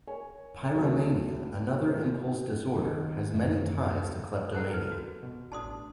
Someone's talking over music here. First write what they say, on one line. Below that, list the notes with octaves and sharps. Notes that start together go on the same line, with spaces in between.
Pyromania, another impulse disorder, has many ties to kleptomania.
A#4 C#5 G#5
D2 A#2 E3 F#3 A3
D#3
F#2 A3
A4 A#4 C5 F#5
B4
F#4
B2
A1 D4 A5 C6 D#6